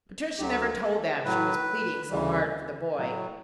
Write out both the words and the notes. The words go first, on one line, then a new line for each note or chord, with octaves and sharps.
Patricia never told them she was pleading so hard for the boy.
D2 D3 F#3 G4
A4
A2 F#3 B4
D2 C#3 E3 G3
A2 F#3